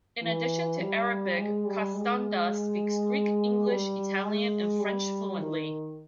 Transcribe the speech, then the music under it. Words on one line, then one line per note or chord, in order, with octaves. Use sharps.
In addition to Arabic, Costanda speaks Greek, English, Italian and French fluently.
E3
G3
G#3
G3
G#3
G3
G#3
G3
D#3